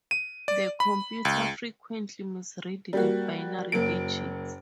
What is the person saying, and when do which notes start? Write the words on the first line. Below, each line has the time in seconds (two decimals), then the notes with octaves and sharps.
The computer frequently misread the binary digits.
0.11 D#7
0.48 D5
0.80 B5
1.25 C#2
2.93 G3 A#3 F#4
3.72 F#1 F#3 A#3 D7